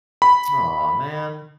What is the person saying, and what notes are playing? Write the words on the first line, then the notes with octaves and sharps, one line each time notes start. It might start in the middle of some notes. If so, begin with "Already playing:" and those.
Aw, man.
B5